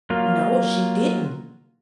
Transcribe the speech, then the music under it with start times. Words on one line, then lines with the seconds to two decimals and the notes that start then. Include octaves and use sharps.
No, she didn't.
0.10 F#3 A#3 F4